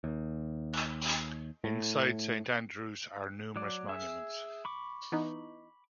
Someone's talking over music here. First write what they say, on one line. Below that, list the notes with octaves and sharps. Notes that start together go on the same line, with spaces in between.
Inside Saint Andrew's are numerous monuments.
D#2
A2
F#3 D5
G#4 E5
B5 C#6 D6
E3 B3 D#4